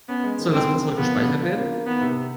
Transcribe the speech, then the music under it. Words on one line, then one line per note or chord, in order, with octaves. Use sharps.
Soll das Passwort gespeichert werden?
B3 C#4
G#3
D#3
G#3 C4
D#3
D#3
F3 B3
D4
D4
F4
A#3
A#3
D#3 B3
C3